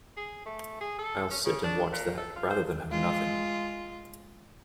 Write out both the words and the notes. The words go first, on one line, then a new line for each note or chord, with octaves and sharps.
I'll sit and watch that rather than have nothing.
G#4
A3
G#4
A4
C#4
C#3
D4
A#2
A4
F4
C5
G#3 F4